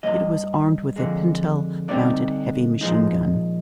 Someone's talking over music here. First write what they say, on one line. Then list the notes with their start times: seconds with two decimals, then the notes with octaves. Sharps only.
It was armed with a pintle-mounted heavy machine gun.
0.03 G2 D#3 G3 D#5
0.96 F2 D3 G#3
1.88 D3 G3 C4 D#4 D5
2.81 A#2 F3 G#3 D#4